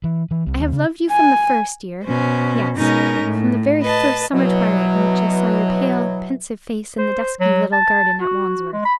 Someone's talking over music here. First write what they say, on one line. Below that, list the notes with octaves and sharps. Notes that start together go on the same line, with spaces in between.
I have loved you from the first, dear--yes, from the very first summer twilight in which I saw your pale, pensive face in the dusky little garden at Wandsworth.
E3
E3
C2
D#2
C#3
G#5
B2 C#4 C5
B2 G#3 C#4 D#4 A#4 A#6
A2
B4 D#5 A5
B2 E3 F#3
C5
F#3
A5
F#4
G#3
B5